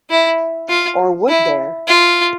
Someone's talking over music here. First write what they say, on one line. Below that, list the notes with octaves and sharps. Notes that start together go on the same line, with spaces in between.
Or would there?
E4
F4
E4
F4